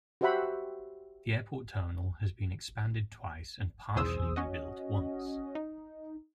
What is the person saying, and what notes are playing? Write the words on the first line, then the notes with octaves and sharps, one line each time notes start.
The airport terminal has been expanded twice and partially re-built once.
F#4 G4 C5 E5 F#5 B5
B1 E2 G#4 C5 D#6 E6
C#4 F#4 D#5
D#4